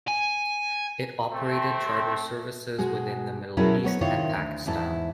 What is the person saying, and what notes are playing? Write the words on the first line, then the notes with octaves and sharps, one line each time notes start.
It operated charter services within the Middle East and Pakistan.
G#5
A3 C4
B2 G#3 F#4 G#4
B2 F#3 C#4 E4 G#4 A#4
F#3 B3 C#5
C3 D#3 E4 F4 C#5
D2
E2 G#2 E4 A5